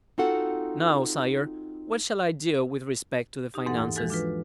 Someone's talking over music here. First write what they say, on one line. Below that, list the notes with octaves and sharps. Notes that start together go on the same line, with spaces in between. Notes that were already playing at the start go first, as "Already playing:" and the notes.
"Now, sire, what shall I do with respect to the finances?"
C4 D#4 F4 F#4 A4 F#5
D#4 G4
E2 G#2 E3 A#3 A4 F#5
E3 F3 G#3 F#4 A4
D4 F4 B4